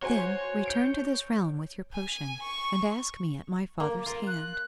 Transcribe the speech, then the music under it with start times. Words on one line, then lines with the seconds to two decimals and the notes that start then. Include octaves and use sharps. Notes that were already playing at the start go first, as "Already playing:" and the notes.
Then return to this realm with your potion, and ask me at my father's hand.
0.02 F#4 C5 C#5 G#5
0.66 G6 C#7 D7
1.93 G#5
2.42 C#6
3.80 A#3
4.06 F4 A#4
4.27 F#6